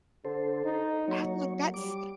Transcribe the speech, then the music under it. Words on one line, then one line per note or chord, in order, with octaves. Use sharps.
I'm like "That's
D3 A4 C5
D#4
F#3 A#3 C#5
G3 D6